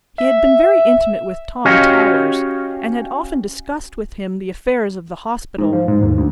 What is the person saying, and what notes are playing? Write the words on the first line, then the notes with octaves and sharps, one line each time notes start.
He had been very intimate with Tom Towers, and had often discussed with him the affairs of the hospital.
E5
C#4 F#4 G4 C#5 D#5 F5
G#2
F3
G#2
D#2
D2